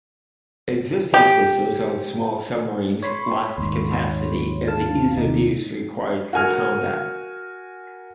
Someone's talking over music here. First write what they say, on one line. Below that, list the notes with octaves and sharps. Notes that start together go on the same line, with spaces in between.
Existing systems on small submarines lacked capacity and the ease-of-use required for combat.
G4
C#5 B5 C6
D#2 G#2
D3 F5 A5
D#2 C3 D#4
F#4 A#4 G#5 F6